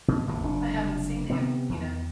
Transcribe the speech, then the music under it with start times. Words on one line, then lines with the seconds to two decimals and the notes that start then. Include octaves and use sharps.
I haven't seen him, you know.
0.08 B2
0.27 A1 D#2 A2 A#3
0.42 F#1 C3 C4 D4
1.30 C3 B3 C4
1.69 E2